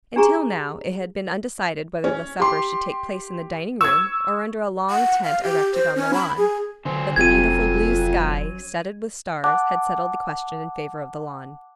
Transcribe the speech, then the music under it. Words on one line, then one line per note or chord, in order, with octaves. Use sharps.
Until now, it had been undecided whether the supper should take place in the dining-room, or under a long tent erected on the lawn, but the beautiful blue sky, studded with stars, had settled the question in favor of the lawn.
D4 G4 G#4 A#5 C#6
C#4
G4 C6
C#6 E6 G#6
F#5
F5
G4
C5
C#4
B5
G#4
D3 F#3 C#4 C5
F1 F2 G#6 D#7
F#5 A5 D6 F#6